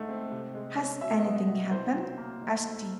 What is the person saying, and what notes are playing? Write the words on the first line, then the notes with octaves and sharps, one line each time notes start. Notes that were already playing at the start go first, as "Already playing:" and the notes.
'Has anything happened?' asked he.
Already playing: G#2 A3
C4
C3
G#3
C#4
B2 E5
D#5
B3
D#5
B2
C2 C5
F#3
A#3
G#2
A3